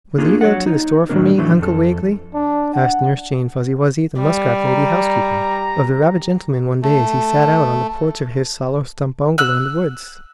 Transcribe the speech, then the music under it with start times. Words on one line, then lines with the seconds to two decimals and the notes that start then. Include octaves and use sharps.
"Will you go to the store for me, Uncle Wiggily?" asked Nurse Jane Fuzzy Wuzzy, the muskrat lady housekeeper, of the rabbit gentleman one day, as he sat out on the porch of his hollow stump bungalow in the woods.
0.18 A#3 D4 F4 G#4
0.41 F#3 C#5 F#5
0.66 D#4
1.09 A2 D#3 F#3 B3 D4 A#4
1.38 A2 D3 E3 F#3 A3
1.60 F2 A4
2.34 D4
2.74 F#5
4.20 G3
4.65 A#5
6.83 A3
9.38 E6 F#6